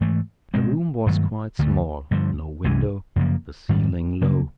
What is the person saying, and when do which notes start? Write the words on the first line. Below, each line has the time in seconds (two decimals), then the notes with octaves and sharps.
The room was quite small; no window; the ceiling, low.
0.01 G#2 E3 A3
0.54 B2 G#3 C4
1.06 G2 D#3 F#3 A3
1.59 D2 D3 F3 A3
2.11 G2 D3 F3
2.64 C2 C3 E3 G#3
3.16 F#2 C#3 F3 A#3
3.69 G#2 D#3 G3
4.21 D2 C#3 F#3 A#3